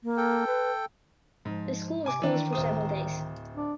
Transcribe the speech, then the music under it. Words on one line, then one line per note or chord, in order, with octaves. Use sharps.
The school was closed for several days.
A#3
A4 G5
B4
G#2 F3
C3 G#5 D6
D#3 E3 D4
D1 C5 D#6
D4